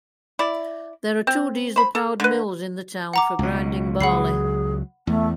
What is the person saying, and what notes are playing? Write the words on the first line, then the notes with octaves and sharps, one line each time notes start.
There are two diesel-powered mills in the town for grinding barley.
E4 D5
C4
C5 B5
A4
D3 B4
F#5 A#5 D6
C#2 B2
C#2 F#3 G#4 F#5 B5 C7
E2 A3